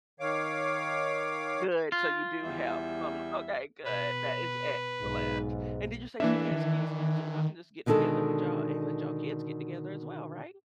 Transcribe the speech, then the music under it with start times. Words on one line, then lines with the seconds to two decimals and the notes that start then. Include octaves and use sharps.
Good, so, you do have some Okay, good, that is excellent. And did you say she has kids, too? So, y'all can just get together with y'all and let y'all kids get together, as well, right?
0.20 D#3 C#5 F5 D6
1.92 F4
2.43 E2 G3 E5
3.85 B2 B4
5.01 B1 G#2
6.20 E3 A#3 D4 E5
6.51 D#3
7.86 B2 D3 D#3 G#3 A4